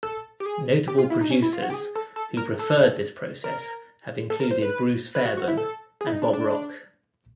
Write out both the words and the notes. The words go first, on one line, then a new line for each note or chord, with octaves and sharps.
Notable producers who preferred this process have included Bruce Fairbairn and Bob Rock.
A4
G4
G#4
G4
F4
E4
D#4
C#4
E4
F4
F#4
G4
G#4
A4
A4
A#4
A4
A#4
A4
A#4
C5
B4
B4
F#4
F#4
E4
A4
G#4
E4
D#4
D4
D4